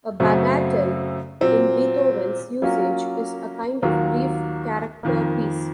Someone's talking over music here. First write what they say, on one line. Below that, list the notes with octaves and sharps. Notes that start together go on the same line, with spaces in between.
A bagatelle, in Beethoven's usage, is a kind of brief character piece.
F#2 C#3 A3 C4 F#4
A#2 F#3 C4
F#3 A#3 C#4 F4
D#2 D#3 F#3 A#3 F4
F2 D#3 A#3